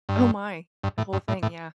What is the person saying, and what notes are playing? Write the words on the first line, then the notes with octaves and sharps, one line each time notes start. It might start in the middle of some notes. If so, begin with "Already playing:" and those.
Oh my. The whole thing, yeah.
G2
G2
A2
G2
A2
A2